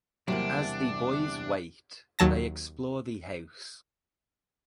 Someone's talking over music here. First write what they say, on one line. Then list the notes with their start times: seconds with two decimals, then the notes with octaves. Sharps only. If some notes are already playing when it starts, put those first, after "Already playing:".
As the boys wait, they explore the house.
0.28 E2 C3 F#3 G3 A#3 D4
2.19 D#2 F#3 A5 A#6